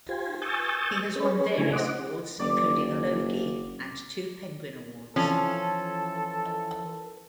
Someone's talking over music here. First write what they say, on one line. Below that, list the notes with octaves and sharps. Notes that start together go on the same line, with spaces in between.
He has won various awards, including a Logie and two Penguin awards.
F4 G4 C5 G#5
G#5 C#6 D#6 E6 G6 A6
C#4 G#4 B4 C#5
C#3 A3 D4 E4 G#5
C5 D#5 F#5 D6
F#1 D5 D6
E3 F3 C#4 A4